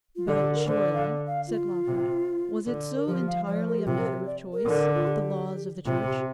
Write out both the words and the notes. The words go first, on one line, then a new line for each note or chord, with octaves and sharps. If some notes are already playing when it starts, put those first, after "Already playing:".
'But, surely,' said Lawford, 'was it so entirely a matter of choice--the laws of the Church?
F4
D3 G4
G4
A#4
D3 C5
D5
F5
F5
F4
C3
D3
A#4
F3 G4
F5
F3 D5
A#4
G4
C3 F4
A#4
G4
D5
A#4
D3
F4
G4
C3 F4
G4